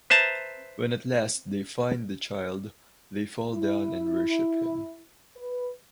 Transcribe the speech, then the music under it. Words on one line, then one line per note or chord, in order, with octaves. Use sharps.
When at last they find the child, they fall down and worship him.
B4 C5 E5 A5 A#5
E4
B4